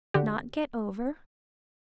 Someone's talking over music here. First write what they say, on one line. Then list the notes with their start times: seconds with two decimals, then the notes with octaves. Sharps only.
Not get over?
0.14 D3 F#4 G4